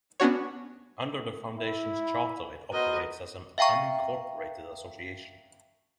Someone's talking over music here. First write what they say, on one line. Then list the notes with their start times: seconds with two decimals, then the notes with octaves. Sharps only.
Under the Foundation's charter it operates as an unincorporated association.
0.20 B3 C#4 D4 F#4 C#5
1.58 E4
2.72 B3 F#4 A#4 C5 D#5
3.58 E5 F5 G5 A#5 C#6